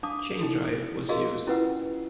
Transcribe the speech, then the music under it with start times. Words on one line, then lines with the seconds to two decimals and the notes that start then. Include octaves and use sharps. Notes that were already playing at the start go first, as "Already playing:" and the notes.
Chain drive was used.
0.03 D4 F5 A5 D6 D#6
0.39 D#4 E4 A4
1.09 F4 F#4 G#4 A#4 D#5 F5
1.47 C#4 E4 F4 B4 F#5 E6